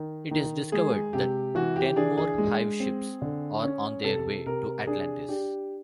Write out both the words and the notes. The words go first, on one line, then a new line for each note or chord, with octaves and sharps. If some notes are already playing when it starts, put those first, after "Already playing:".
It is discovered that ten more hive ships are on their way to Atlantis.
Already playing: D#3
D#3
G#3 G#4
C3 G4
E3 F#4
G4
D4 G#4
G#4
G#3
C4
D3
C#4
C3 A4
C3 A#4
D4 G#4
D4 G4